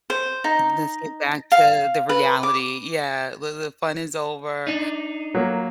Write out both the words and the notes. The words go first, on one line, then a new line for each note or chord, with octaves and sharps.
M let's get back to the reality, yeah, well, the fun is over
C5
D#4
F5
B4
D6
D4 D#4
F#3 A#3